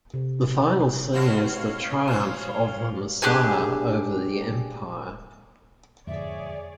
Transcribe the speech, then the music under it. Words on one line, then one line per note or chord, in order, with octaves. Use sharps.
The final scene is the triumph of the Messiah over the empire.
C3
B2 C4 F#4 C#5 F5
F3 C5
D4 G4 G#4 G#5
E1 F2 G#2 D3 G#4 C#5 D5 E5